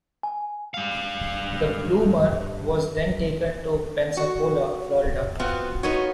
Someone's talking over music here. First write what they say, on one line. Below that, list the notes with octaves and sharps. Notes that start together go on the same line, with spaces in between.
The "Bloomer" was then taken to Pensacola, Florida.
G#5
G2 F5
F#4
B3 C4 F4 F#4
B3 D#4 F#4 C#5